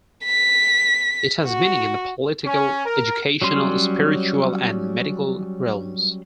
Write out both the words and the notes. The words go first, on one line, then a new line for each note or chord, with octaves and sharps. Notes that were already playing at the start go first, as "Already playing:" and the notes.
It has meaning in the political, educational, spiritual and medical realms.
B6
F#4
C#4
A#4
F#3 G3 C#4 C6